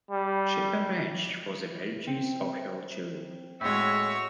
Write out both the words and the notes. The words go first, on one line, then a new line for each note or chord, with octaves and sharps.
She arranged for the marriages of her children.
G3
C4
A2 G#3 F#4 C#5 E5